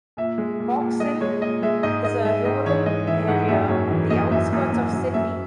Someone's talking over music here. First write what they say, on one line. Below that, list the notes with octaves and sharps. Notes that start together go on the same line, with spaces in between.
Box Hill is a rural area on the outskirts of Sydney.
A#2 E5
G#3
A#2
A#2
G#3 D#5
G#3 C#5
A#2 D#5
G#3 E5
G#2 D#5
G#3 D#5
G#3 E5
G#2 D#5
E3 C#5
G#3 D#5
E3 E5
G#2 F#5
F#2 E5
F#2 C#5
E3
F#2 D#5
F#2 E5
F#2
F#2
F#2
F#2 E5